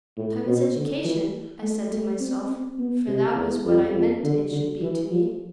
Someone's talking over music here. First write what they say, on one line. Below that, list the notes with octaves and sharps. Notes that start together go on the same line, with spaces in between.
"Time is education," I said to myself; for that was what I meant it should be to me.
A2
B2
D3
E3
A3
A3
C4
C4
B3
C3
E2
F2
F2
D3
D3
E3
F3